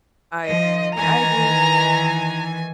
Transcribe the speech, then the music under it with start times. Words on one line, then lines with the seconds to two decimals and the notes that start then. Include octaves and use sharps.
I do what I do.
0.46 F3 D#5
0.95 D#3 E3 G#5 A#5